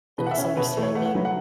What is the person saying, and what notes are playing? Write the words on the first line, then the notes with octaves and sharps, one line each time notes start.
the misunderstanding?
B2 B4
F#5
E5
C#4
E5
B2 B4
A3
C#5
A3 F#5
F#5
F#3 B4
F#5